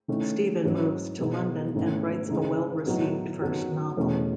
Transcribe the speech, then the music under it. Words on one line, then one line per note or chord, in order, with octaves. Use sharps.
Stephen moves to London and writes a well-received first novel.
D#3 A3 C#4 E4
G#2 F#3 C#4 E4
B2 G#3 B3 D#4
G#2 D#3 A3 C#4 E4
C#3 E3 G#3 D#4
A2 F#3 B3 D#4
F#2 D#3 F#3 B3
E2 B2 A3 C#4